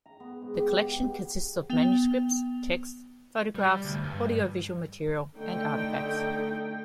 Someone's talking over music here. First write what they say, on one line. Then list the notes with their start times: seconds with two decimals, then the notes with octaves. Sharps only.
The collection consists of manuscripts, texts, photographs, audio-visual material and artifacts.
0.06 A#5
0.20 B3
0.42 G#2
0.59 G4
0.84 G5
1.70 B3 G5 F7 G7
3.55 G3
3.84 D2
4.04 G2
5.36 D3 A3 D#4 G5